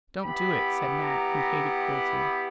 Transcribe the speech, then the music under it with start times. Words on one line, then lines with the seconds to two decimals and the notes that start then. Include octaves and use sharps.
"Don't do it," said Nat, who hated cruelty.
0.24 B3 E4 G4 B5
1.04 A#5
1.82 B5